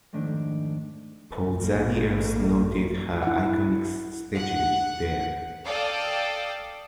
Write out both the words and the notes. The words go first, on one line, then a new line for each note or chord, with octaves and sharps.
Pausanias noted her iconic statue there.
F2 G#2 D#3 A3 D4
A1 A#3
E4 F#5
F#5
A4 D5 F5 G5 D#6